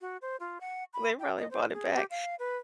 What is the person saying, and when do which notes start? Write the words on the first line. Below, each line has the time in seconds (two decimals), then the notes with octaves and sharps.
they probably brought it back.
0.01 F#4
0.22 C5
0.40 F4
0.61 F#5
0.93 B5
1.19 G5
1.38 D#5
1.51 C5
1.73 G#4
1.95 G4
2.10 F5
2.39 B4